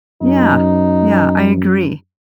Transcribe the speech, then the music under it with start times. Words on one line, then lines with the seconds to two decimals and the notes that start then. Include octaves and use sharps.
Yeah. Yeah, I agree.
0.22 F#2 D#4